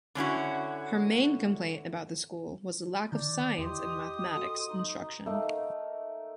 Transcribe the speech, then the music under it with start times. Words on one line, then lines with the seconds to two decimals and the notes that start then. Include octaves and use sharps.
Her main complaint about the school was the lack of science and mathematics instruction.
0.15 D3 C#4 E4 F#4
3.12 D3 D#3 D5 G6
3.57 E2 E4 G4 D#5 C6 D#6
4.35 F#4 A4
4.69 D#4
5.26 A3 A#3 D#4